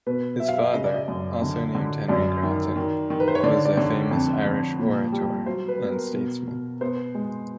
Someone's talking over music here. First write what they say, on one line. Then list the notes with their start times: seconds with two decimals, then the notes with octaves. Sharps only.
His father, also named Henry Grattan, was a famous Irish orator and statesman.
0.06 B2 B4
0.40 F#3 E5
0.48 F5
0.57 E5
0.74 C#3 D#5
0.84 D5
0.94 D#5
1.08 F#2
1.42 D3
1.75 D3
2.08 F#2 D5
2.43 D#3
2.76 D#3
3.10 D#3
3.20 B4
3.28 C5
3.35 C#5
3.44 D3 D5
3.65 D5
3.77 D3 C#5
4.11 F2
4.45 F2
4.79 A#2
5.12 G3
5.46 F#3 C5
5.68 B4
5.80 B3
5.91 A#4
6.13 B2
6.47 B2
6.81 B3 C5
7.15 G#3